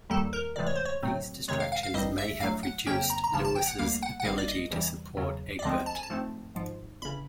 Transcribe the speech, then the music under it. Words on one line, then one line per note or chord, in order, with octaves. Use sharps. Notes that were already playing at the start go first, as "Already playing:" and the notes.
These distractions may have reduced Louis's ability to support Egbert.
D#2 D#3 G3 A#3 A4
A#4
D2 C3 E3 G#3 D5
C#5
C5
C#5
A2 F#3 A3 C4
F2 C3 D#3 G#3 C#5
F5
F5
F5
A1 G2 D#3 G3 C4 D#5
E5
A#1 A2 F#3 A3 F5
F#5
F2 C#3 F#3 A#3 C#4 G5
A#5
A#5
G#1 F#2 C#3 F3 A#3 A5
A5
G5
F#5
D2 D3 G3 A#3 F5
F#5
F#5
G#1 G#2 D#3 G3 A#3 F5
D5
D#5
E2 C3 E3 G3
E2 C#3 F#3
D5
D2 D3 F3 G#3 C4 D#5
A5
G#5
A5
G#2 F3 A3 C4
G#1 G#2 F3
G1 C#3 B5